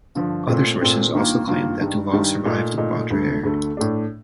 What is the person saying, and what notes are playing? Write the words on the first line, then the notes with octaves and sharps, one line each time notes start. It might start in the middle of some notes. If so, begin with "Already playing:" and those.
Other sources also claim that Duval survived Baudelaire.
G2 D3 F3
A#2 A3 C4
A#2 A3 C4
G2 D#3 A#3 F4
G2 D#3 A#3 F4
G2 D#3 G3
G2 D#3 G3
A#2 A3 D#4
A#2 A3 D#4
D2 D3 A3
D2 D3 A3
A2 A3 D4